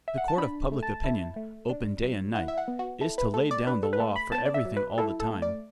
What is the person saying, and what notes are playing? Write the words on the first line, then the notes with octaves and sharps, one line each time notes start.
The Court of Public Opinion, open day and night, is to lay down the law for everything all the time.
E5
F#5
A5
D4 B5
A3
A5
E4
A3
D4
F#3
E4 F#5
E5
F#5
B3
F#4
E4 A4
B4
A3 A4
D5
D4 B4
A4
B4
A3 A4
B5
B3 A5
D5
E5
F#3
B4
E4 A4
A4
A3
D5